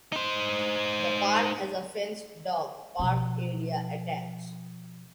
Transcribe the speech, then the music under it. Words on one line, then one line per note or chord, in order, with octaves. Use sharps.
The park has a fenced dog park area attached.
D#4 C5
B2 F3